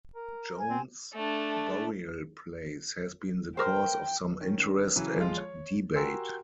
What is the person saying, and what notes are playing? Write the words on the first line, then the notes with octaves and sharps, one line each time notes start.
Joan's burial place has been the cause of some interest and debate.
A#4
G#5
C4
A3 D4
A#4 C5 G5
D#3 C#4
C#3 E3 F#3
F3 G#3 F4
C#5
F#4 G4 A#4 G#5 C6 E6